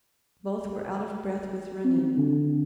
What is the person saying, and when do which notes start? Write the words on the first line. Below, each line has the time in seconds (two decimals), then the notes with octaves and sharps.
Both were out of breath with running.
1.84 C4
2.18 D3